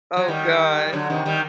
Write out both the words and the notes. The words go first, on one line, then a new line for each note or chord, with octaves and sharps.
Oh, god.
F#3
D#3 G3
G3
D3 F#3
C3 D#3
D#3 G3